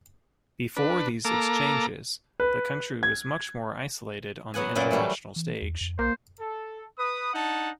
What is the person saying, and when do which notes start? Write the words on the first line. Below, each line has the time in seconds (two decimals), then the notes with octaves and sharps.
Before these exchanges, the country was much more isolated on the international stage.
0.77 D4 B4
1.25 A#3 A4 A#5 D6
2.40 B4
3.03 G#6
4.54 F#3 B3 F#5 G#5
4.75 F#2 A#2 F#3 B5
4.91 E3 F#3 G3 A3
5.36 E3
5.62 E2
5.81 F2
5.99 B1 A#3 C5
6.39 A4
6.99 B4 D#6
7.34 D4 D#4 F#5 A5